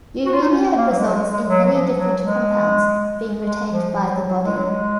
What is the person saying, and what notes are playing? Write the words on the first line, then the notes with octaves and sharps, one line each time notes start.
Uremia results in many different compounds being retained by the body.
F#4
F4
D#4
C#4
A#3
F#3
G#3
F#3
G#3
G#3
F#3
F#3
F3
F#3
G#3
G#3
F3
F3
F#3
F#3
G#3
F#3
G#3